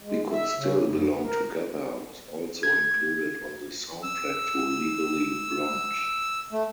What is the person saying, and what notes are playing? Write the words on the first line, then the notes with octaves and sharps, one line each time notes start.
"We Could Still Belong Together" was also included on the soundtrack to "Legally Blonde".
G#3
E5
C#3
F#2
B3
A#4
G#6
E6
A3